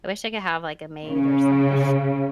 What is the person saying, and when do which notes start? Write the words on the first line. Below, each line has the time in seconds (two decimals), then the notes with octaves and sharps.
I wish I could have, like, a maid or something.
1.07 C#3